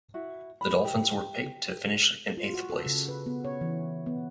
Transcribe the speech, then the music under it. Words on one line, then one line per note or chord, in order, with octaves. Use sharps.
The Dolphins were picked to finish in eighth place.
E4 F#4
B5
G4
F4
F#4
A4
C#3
B4
B3
C#5
E3
B3